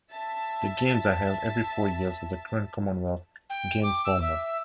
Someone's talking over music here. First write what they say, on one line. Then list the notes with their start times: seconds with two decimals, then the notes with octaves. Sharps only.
The games are held every four years with the current Commonwealth Games format.
0.11 E5 A5
3.50 G5
3.83 D6
4.05 E6
4.22 E5